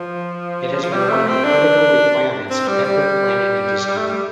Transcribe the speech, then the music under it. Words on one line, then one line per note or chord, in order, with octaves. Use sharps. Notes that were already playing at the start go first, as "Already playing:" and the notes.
It has been one of the critical requirements in network planning and design.
Already playing: F3
F3
G3
A3
C4
D4
C4
G3
G3
A3
G3